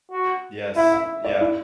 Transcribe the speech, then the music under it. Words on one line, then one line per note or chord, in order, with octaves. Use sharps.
Yes, yeah.
F#4
E4 E5
E5
D5
E4